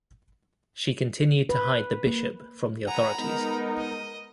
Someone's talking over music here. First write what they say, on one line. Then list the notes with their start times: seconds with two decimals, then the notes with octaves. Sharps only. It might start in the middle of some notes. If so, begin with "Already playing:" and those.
She continued to hide the bishop from the authorities.
1.49 B4
2.07 A#3
2.87 F#5 G#5 A#5 B5
3.19 G#3 B3 D#4 A#4
3.78 D#5